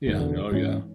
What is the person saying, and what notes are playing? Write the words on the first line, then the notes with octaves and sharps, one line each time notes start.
Yeah, oh, yeah.
F#1 G#2 D#3
E2 B2 D3
G#2 E3 C#4